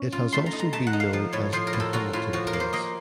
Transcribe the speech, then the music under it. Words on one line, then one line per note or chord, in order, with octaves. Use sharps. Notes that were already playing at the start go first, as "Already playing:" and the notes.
It has also been known as The Hamilton Place.
Already playing: C#4
F4
A3 C6
A#5
D#4
A#5
A3 A5
F#5
D#4
F5
F3
A2 C#5
F3 C5
A#4
A2
A4
F4 F#4
A2 F4
F3 F#4
A#4
A#3
C5
A#3 D#5